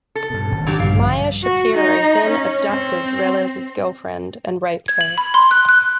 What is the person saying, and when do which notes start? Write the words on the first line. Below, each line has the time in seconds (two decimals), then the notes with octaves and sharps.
Meyer Shapiro then abducted Reles' girlfriend and raped her.
0.15 A4
0.30 G2 B2
0.51 G#1 C#3
0.67 F#3 D4 G4
0.80 A#1 G2 D3 G3 F5
1.43 F#4
1.75 D#4
2.28 C#4
2.70 C4
4.88 G#6
5.01 F#7
5.18 B5
5.34 C6
5.51 F#6
5.69 F#6